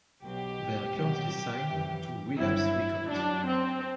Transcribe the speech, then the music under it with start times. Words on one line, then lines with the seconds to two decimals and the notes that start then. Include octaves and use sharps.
They are currently signed to Relapse Records.
0.22 B1 B2 F#3 G4
0.95 C2 B2 F#3
1.66 F#2 E3
2.38 G1 G2 F#3 E4
3.10 F#2 F#3 D4
3.47 C4